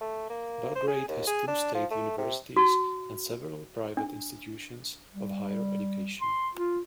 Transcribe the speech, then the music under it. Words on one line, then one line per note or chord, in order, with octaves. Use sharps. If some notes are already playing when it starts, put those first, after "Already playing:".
Belgrade has two state universities and several private institutions of higher education.
A3
A#3
C5
G#4
D#2
G#4
D4
F3
A3
C3
F#4
D4
G3
C6
F4